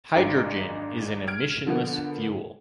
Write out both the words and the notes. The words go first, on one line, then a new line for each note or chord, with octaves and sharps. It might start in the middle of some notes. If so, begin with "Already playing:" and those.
Hydrogen is an emissionless fuel.
G#1 G#3 D4 D#4 D7
F6 G#6 D7
D3 F3 A#3 B3